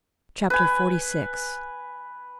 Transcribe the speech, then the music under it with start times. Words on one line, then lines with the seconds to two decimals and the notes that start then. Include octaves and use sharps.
Chapter XLVI.
0.50 B4 G#5